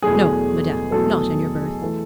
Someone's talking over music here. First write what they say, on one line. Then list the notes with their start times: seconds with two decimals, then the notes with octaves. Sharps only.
"No, madame, not in your berth."
0.02 E2 B2 F#3 A3 G#4
0.91 E2 B2 F#3 A3 A4
1.82 E3 A3